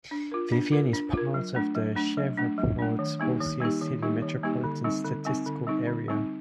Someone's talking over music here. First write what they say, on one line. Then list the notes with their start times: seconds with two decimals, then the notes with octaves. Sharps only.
Vivian is part of the Shreveport-Bossier City Metropolitan Statistical Area.
0.11 D4
0.32 F4 A#4
0.52 D4
0.72 F4 A#4
0.93 D4
1.14 F4 A#4
1.34 F#3
1.55 A3 D4
1.75 F#3
1.96 A3 D4
2.17 F#3
2.37 A3 D4
2.58 F#3
2.79 A3 D4
2.99 D#3
3.20 G3 A#3 D#4 G4
3.41 D#3
3.60 G3 A#3 D#4 G4
3.82 D#3
4.02 G3 A#3 D#4 G4
4.22 D#3
4.43 G3 A#3 D#4 G4
4.64 D3
4.84 G3 C4 D#4
5.05 D3
5.25 G3 C4 D#4
5.46 D3
5.67 G3 C4 D#4
5.87 D3
6.08 G3 C4 D#4